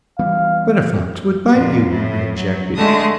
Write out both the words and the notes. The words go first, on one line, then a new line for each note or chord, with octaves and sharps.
"But a fox would bite you," I objected.
E3 G3 B3 F5
F2 A#2
A2
F#3
D3 G#3 A3 A5 D#6